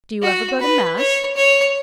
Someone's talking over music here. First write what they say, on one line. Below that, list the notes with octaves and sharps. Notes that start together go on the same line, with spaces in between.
"Do you ever go to mass?"
F#4
B4
C#5
C#5